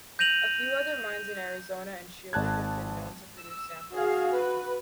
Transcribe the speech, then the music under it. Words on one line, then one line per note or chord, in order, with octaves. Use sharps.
A few other mines in Arizona and Chile have been known to produce samples.
G6 A#6 D#7 F7 F#7
G#1 A5 F#6 G#6
E6
F#4 G#4 F5
B4